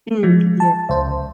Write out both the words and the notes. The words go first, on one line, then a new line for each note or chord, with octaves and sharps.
Mm, yeah.
F3 G#3
A5
C#2 C5